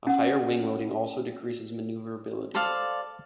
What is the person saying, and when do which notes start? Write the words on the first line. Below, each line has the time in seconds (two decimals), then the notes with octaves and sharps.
A higher wing loading also decreases maneuverability.
0.07 C#4 F#5
2.54 A4 C5 D5 F5